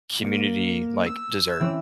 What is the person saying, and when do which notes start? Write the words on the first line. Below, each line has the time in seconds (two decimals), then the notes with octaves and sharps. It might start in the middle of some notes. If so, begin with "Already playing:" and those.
community, like, dessert.
0.20 A#3
1.06 E6
1.60 E3 C4 C#4